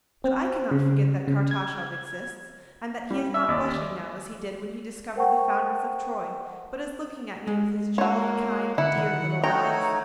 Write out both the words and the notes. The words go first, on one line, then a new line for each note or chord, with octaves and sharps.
But I cannot forget that Kartashov exists and that he is not blushing now as he did when he discovered the founders of Troy, but is looking at me with his jolly, kind, dear little eyes.
C4
C#3
C#3
G#6
G3
E5
D#2 D5
A#4 C5 F#5 G5 A5 C#6
G#3
A#3 F#4 C#5
D3 E4 F#5
D#3
A3 D#4 F#4 C#5 G5 A#5